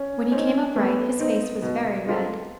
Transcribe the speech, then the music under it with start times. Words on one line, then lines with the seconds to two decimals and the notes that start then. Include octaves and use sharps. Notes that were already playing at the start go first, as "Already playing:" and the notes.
When he came upright his face was very red.
Already playing: C#4
0.32 C4 C#4 D#4
0.76 A3 B3
1.19 C4 D#4
1.62 B2
2.06 G#3 C4 F4 A4